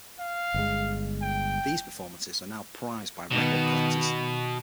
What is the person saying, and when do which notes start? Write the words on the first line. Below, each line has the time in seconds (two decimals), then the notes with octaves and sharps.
These performances are now prized by record collectors.
0.19 F5
0.54 G1 G#3
1.21 G5
3.31 B2 D#3 B3